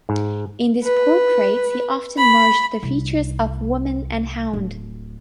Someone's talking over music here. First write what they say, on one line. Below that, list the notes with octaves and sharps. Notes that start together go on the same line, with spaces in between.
In his portraits he often merged the features of woman and hound.
G#2
B4
B5
C2
D1